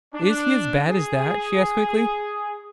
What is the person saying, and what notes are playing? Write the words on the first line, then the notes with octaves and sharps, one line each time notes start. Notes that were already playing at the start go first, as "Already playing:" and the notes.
"Is he as bad as that?" she asked quickly.
D4
G#4